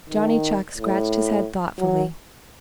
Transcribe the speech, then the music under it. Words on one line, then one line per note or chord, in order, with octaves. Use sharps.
Johnny Chuck scratched his head thoughtfully.
D#3
A2
F#3